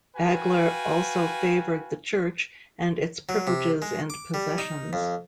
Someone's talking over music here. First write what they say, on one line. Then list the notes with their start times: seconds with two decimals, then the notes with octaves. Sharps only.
Bagler also favoured the church and its privileges and possessions.
0.16 F#4 B4 F5 G5 G#5
3.29 F#3
3.47 C3
3.82 G#3
4.10 D6
4.34 G3
4.58 D#4
4.93 F2